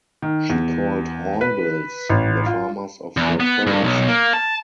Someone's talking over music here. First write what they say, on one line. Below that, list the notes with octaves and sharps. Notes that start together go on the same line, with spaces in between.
She called hornbills "the farmers of the forest".
D#3
E2
B4
A1
F4
E2
B3
G2
B1
A#3
A5